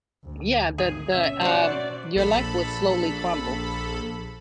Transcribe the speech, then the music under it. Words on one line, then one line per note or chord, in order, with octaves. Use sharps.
yeah, the the, um, your life will slowly crumble.
D2
G#1 G#4
B2 C#4 E5
F#4 C5 D5
A#1 A4 B5